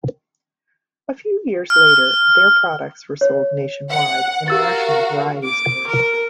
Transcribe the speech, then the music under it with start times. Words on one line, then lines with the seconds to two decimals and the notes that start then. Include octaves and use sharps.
A few years later their products were sold nationwide in national variety stores.
1.70 F6
3.21 C#5
3.90 F#5
4.48 F#4 G4 A#4 F5 E6 A6
5.44 D6
5.87 A#4